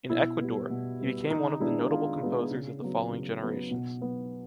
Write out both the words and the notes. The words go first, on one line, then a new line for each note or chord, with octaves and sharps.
In Ecuador, he became one of the "notable composers of the following generations".
B2 E4
G3 B3
B2
G3 B3
D#3 D#4
G#3 B3 D4 E4
D#3 F4
G#3 B3 D4
C#3
F#3 B3
C#3
F#3 B3
B2
F#3 B3